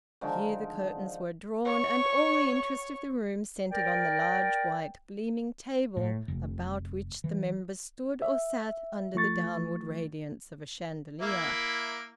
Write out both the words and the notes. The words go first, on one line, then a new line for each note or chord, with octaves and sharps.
Here the curtains were drawn, and all the interest of the room centred on the large white gleaming table, about which the members stood or sat under the downward radiance of a chandelier.
D3 D#3 F3 G#3
C#5 C#6
A#4 D5 G5
A2
F1
E3
E5
F3 A3 C#6 A6
A#3 E4 E5